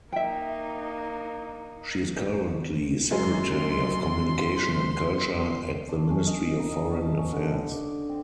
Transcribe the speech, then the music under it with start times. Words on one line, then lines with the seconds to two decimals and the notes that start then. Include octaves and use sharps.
She is currently Secretary of Communication and Culture at the Ministry of Foreign Affairs.
0.13 A#3 D#4 E5 G5
3.11 F#2 G#3 C#4 C6
5.89 D4
6.11 C#4
6.26 D#5
6.59 D#4
6.93 A5
7.17 C#4
7.33 D3
7.71 D6
8.09 C4